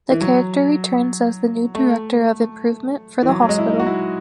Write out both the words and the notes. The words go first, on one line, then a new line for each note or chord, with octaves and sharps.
The character returns as the new Director of Improvement for the hospital.
E3
F#3
A3
E3
F#3
F#3
G#3
E4
D#4
F#4
E4